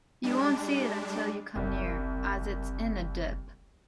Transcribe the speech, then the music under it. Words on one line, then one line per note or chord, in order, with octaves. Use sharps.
You won’t see it until you come near, as it’s in a dip.
G3 G#3 D4
F#1 C2